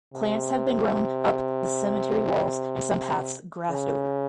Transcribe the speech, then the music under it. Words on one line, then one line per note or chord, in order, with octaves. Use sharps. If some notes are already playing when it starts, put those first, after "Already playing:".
Plants have been grown up the cemetery walls and some paths grassed over.
C3
C#3